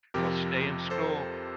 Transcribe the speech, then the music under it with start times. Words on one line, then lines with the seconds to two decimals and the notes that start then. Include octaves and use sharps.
Well, stay in school.
0.14 F2 C3 F3 G4 A#4
0.90 A4 C5